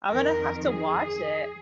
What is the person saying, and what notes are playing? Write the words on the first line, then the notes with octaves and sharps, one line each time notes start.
I'm gonna have to watch it.
F2 D#3 A#4
G#4